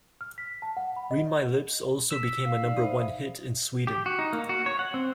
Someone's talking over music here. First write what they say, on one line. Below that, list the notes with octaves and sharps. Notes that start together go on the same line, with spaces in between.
"Read My Lips" also became a Number One hit in Sweden.
F6
B6
A5
F#5
B5
D#5
E6 B6
F5
D#4 D5
C5 E5 B5 D#6
G4
F#4
D#4
A#3
F#4
C#5
F#5
C4